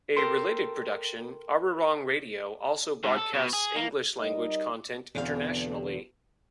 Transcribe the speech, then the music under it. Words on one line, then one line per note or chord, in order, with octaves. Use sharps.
A related production, Arirang Radio, also broadcasts English-language content internationally.
A4 A#4 G5 C6
G#2
A4
B2
G#4
A#3
G3 D#4 A#4 D#5
E2 B2 D3 C4 F5